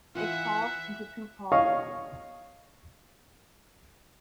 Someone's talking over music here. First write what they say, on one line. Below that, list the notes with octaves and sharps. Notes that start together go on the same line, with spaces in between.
It falls into two parts.
E3 F4 E5 F#5
C#5 D#5 F5 C#6